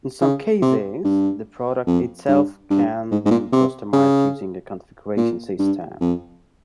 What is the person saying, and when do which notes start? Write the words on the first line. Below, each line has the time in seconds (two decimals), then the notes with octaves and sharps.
In some cases, the product itself can be customized using a configuration system.
0.21 C#3
0.62 C3
1.04 G2
1.87 F2
2.28 G2
2.70 G2
3.11 G#2
3.25 G#2
3.31 A#2
3.52 C3
3.93 C#3
5.17 A#2
5.59 G2
6.00 F2